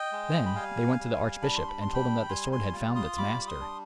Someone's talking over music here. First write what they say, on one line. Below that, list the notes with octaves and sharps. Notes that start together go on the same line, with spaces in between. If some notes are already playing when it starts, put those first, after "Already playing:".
Then they went to the archbishop and told him that the sword had found its master.
Already playing: D#5 G5
G#3
B5
G3 F5 G#5
G3
D4 B5
C6
B5
G3 C6
G5 B5
G3 G#5 C6
G#5 C6
F4
C6 D#6
G3 B5 D6
D6
C6 D#6
D4